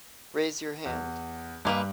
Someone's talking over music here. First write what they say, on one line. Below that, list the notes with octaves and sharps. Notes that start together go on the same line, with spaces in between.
Raise your hand.
E2
G2 G#3 A#3 B4